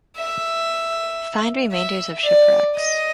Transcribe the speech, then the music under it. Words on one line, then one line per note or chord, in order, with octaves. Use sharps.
Find remainders of shipwrecks.
E5
E5
D5
D#5